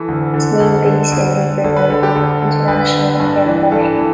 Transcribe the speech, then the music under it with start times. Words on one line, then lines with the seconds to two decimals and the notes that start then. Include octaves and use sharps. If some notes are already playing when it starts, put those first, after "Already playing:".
Its main base is Libreville International Airport.
Already playing: E3 A4
0.08 D2
0.34 D3
0.60 D2 A4
0.85 D3
1.12 D2
1.37 D3
1.64 D2 A4
1.76 B4
1.90 D3 A4
2.03 G4
2.15 D2 A4
2.42 D3
2.68 D2 B4
2.94 D3
3.20 G2
3.46 E3
3.72 G2 A4
3.98 E3